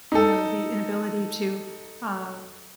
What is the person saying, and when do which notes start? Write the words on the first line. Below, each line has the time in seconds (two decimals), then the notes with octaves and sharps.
you know, the inability to, uh,
0.12 D#4 A4